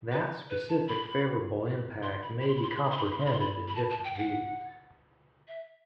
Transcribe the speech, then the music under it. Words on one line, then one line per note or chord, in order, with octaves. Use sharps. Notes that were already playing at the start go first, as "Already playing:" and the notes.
That specific favourable impact may be comprehended in different views.
B4
B4
A5
B5
C6
B5
B5
C6
B5
C6
B5
C6
B5
C6
B5
C6
B5
C6
B5
C6
B5
B5
A5
A5
G5
G5
F#5
E5